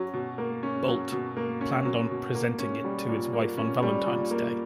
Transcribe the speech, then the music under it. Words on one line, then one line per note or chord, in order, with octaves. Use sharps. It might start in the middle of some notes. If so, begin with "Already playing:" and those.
Boldt planned on presenting it to his wife on Valentine's Day.
Already playing: F#3 C#4
B2
A#3
C#4
F#3
B2
A#3
C#4
F#3
B2
A#3
C#4
G3
A#2
A#3
C#4
G3
A#2
A#3